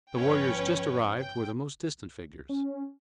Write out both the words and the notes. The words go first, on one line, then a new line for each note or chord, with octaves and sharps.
The warriors just arrived were the most distant figures.
G1 F3 C#4 B4 C#5 G5
G5
C#4